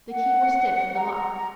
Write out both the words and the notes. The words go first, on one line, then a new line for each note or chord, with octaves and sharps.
The key was stiff in the lock.
F#5
A#5
A#5
A#5